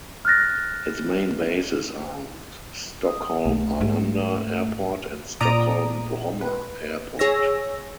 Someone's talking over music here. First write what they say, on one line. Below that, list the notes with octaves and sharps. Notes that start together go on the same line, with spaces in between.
Its main bases are Stockholm-Arlanda Airport and Stockholm-Bromma Airport.
F6 F#6 A6 A#6
D#6
B1 A3
G#2
A#2 D5 A#5 D#6 D7
B4
G#4 C#5 E6 A#6